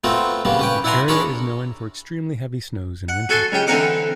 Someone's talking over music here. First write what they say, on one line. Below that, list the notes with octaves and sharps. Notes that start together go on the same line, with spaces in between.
The area is known for extremely heavy snows in winter.
A3 B3 C4 F4 A#4
C#3 G3 A#3 B3
C#4 B4 G5
E4 D5 F#5 G#5 A#5 C6
D4 G#4 A#4 C#5 B5
F#5
F#4 A4 G#5 A5 C6
C#2 C#3 G4 G5
D3 E3 C4 A#4 F#5 D6